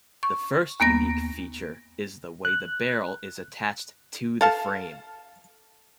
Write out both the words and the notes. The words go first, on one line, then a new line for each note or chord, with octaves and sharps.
The first unique feature is the way the barrel is attached to the frame.
C#6
D#2 A#3 B3 A#6
F#6
A4 F5 A5